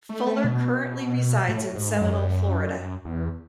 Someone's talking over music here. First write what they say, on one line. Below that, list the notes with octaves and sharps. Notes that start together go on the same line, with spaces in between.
Fuller currently resides in Seminole, Florida.
A3
A3
B2
A2
G#2
F#2
E2